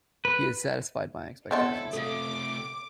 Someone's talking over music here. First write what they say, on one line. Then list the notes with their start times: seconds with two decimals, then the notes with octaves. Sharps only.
He has satisfied my expectations.
0.25 B4
1.51 B3 C4 D4 E4 A4 C#5 D#5
1.93 C3 A3 A4 F5 D6